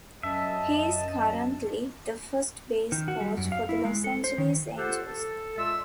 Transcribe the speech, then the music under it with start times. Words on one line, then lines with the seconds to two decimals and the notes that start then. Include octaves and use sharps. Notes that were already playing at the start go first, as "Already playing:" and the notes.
He is currently the first base coach for the Los Angeles Angels.
0.23 F#2 D#5 E5 A5
2.92 D#3
3.08 F#4
3.21 G3
3.37 F#2
3.52 F5
3.69 E4
3.85 G#3
4.04 A4
4.24 C5
4.38 D#3
4.77 F4 G4 A4 C5 F#5
5.06 A4
5.57 A#2 G#3 F4 E5 E6